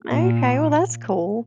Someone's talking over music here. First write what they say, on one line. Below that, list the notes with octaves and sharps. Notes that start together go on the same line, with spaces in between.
Okay, well, that's cool.
A#2